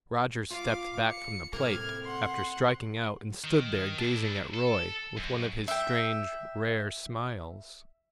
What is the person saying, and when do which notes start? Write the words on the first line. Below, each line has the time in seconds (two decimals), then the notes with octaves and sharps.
Roger stepped back from the plate, after striking out, and stood there gazing at Roy, with one of his strange, rare smiles.
0.51 F4 F5 D6
1.10 C#7
1.53 A2 C3 A#3 F6 G#6
2.04 F#5 C6
3.44 D#3
3.99 D4 E4
4.54 A4
5.17 F#2
5.68 E5 G5